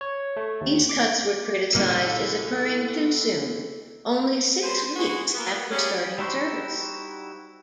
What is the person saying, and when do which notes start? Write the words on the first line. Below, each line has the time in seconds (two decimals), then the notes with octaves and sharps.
These cuts were criticized as occurring too soon, only six weeks after starting service.
0.01 C#5
0.37 A3
0.61 D#2
0.89 D6
1.75 C2 A#2 G3 A#3 C#4 A4 F#5
4.62 G#3 C#4 B4 C5
4.96 G#3 B3 F#4 G#4
5.34 A#3 B3
5.70 G3 A#3 C#4 G4 G#4
6.18 G3 D#4 E4 F#4 C5